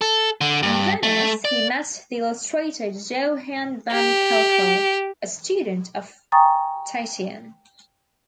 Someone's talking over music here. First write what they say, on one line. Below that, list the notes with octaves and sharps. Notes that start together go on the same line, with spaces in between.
In Venice, he met the illustrator Johan van Calcar, a student of Titian.
A4
D3
G2
A3
D5
G4
G5 G#5 A#5 C#6 D#6 A6